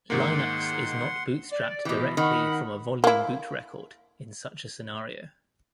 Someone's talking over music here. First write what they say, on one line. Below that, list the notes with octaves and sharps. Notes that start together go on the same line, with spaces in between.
Linux is not bootstrapped directly from a Volume Boot Record in such a scenario.
G#2 D#3 A#3 F#5 C6
D5
B2 E3 G4
D#3 F#5 B5
A#3 E4